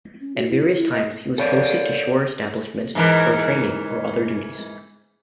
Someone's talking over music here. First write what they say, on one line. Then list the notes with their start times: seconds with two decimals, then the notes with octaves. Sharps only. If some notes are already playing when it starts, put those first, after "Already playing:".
At various times he was posted to shore establishments for training or other duties.
0.21 C#4
0.36 F#4
0.49 E4
0.64 F#4
0.77 E4
0.91 D#5
1.38 A4 C#5 D5
2.95 G#2 E3 A#4